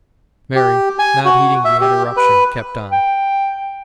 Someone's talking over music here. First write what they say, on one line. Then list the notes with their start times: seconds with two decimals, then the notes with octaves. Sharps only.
Mary, not heeding the interruption, kept on.
0.56 G4
0.99 G#5
1.25 F#4
1.65 E5
1.81 G4
2.17 B4
2.92 G5